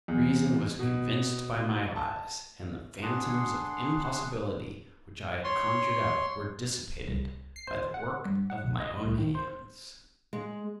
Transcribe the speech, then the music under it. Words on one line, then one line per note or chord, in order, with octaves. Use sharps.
My reason was convinced by my eyes; and the phantoms of impossibility which I had conjured up were dissipated by the work of my own hands.
E2
B2
A5
D4 G#4 F#5 C6
C#5 C6
C2
C7
C5
F#5
G2
F#5
B1
D#5
C2
D#3
C5
G#3